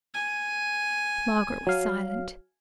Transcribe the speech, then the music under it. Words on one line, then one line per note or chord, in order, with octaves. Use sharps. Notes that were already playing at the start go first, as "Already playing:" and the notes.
Margaret was silent.
G#5
F#3 F5